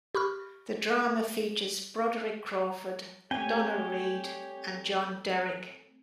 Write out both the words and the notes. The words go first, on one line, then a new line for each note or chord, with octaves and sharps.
The drama features Broderick Crawford, Donna Reed and John Derek.
G4 B5 C#6 F6
G3 A3 C4 G4 C#5 G5 G#5